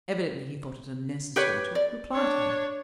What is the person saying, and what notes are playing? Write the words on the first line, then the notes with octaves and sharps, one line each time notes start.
Evidently he thought it unnecessary to reply to me.
G4 B4 C#5
D5
D4 C#5